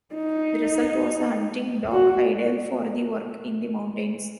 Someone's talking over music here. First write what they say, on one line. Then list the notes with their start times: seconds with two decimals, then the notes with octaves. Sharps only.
The result was a hunting dog ideal for the work in the mountains.
0.14 D#4
1.92 F#4